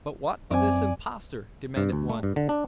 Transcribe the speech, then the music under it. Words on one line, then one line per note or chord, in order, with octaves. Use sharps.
"But what of this impostor?" demanded one.
F#2 C4 D5 G#5
G2
D2
A3
G2
D3
D4